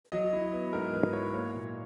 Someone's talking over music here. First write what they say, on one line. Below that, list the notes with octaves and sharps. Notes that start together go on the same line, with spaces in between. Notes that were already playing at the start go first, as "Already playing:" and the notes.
Some people said this was because pigs were unclean.
F#3 D#5
E4
B3
G#2 A#4
F#3 B4
E4 C#5
A#3 C#5
A#2